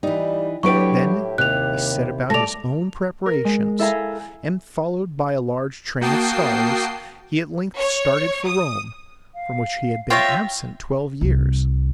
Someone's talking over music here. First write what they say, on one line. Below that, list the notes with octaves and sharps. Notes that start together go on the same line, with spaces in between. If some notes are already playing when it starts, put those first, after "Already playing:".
Then he set about his own preparations, and, followed by a large train of scholars, he at length started for Rome, from which he had been absent twelve years.
E3 G3 D#4
A2 F#3 D4 E4 G4 B4 C#6 D7
D#2 C3 F#6 F7
A3 A4 D5 A#6 F7
A#4
G#3
E4 A4 E5 F5 G#5 A#5
A#3 F#4 G5 A5 D#6 C7
C#5
D#6
F5
F4 C#5 E5 G5 A#6
C2